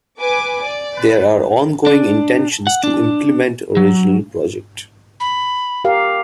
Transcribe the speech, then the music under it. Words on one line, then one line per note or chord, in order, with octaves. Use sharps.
There are ongoing intentions to implement original project.
B4 G#5 D6
D5
D4
F#5
D4
F#3
B5
G4 A#4 F5